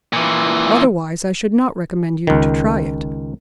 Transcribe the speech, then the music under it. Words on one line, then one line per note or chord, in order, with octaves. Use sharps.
Otherwise I should not recommend you to try it.
A#2 E3
C#2 D#3